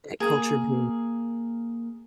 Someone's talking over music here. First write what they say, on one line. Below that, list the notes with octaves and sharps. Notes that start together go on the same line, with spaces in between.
that culture being
A#3 G#4 A#4